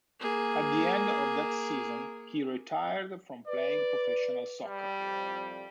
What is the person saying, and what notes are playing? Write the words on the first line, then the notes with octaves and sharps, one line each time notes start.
At the end of that season, he retired from playing professional soccer.
A#3 G#4
B4 D5
G3
C2 F2